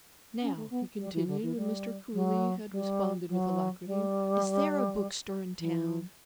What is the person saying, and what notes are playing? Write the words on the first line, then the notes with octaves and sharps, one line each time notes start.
"Now," he continued, when Mr. Cooly had responded with alacrity, "is there a bookstore in town?"
C#4
A3
B3
G3
E3
D3
E3
G3
F#3
G3
F#3
G3
E3